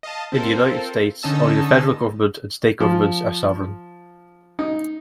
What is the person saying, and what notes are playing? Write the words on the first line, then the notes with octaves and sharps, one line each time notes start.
In the United States only the federal government and state governments are sovereign.
D#5 F5 A5
C4 F4 A4 A#4 C5
D3 C#4 D#4 D#5 A5 E6
F3
D#4